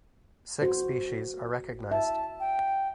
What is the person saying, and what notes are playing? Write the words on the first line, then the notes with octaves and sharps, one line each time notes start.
Six species are recognized.
F#4 C5
E5 A5
G5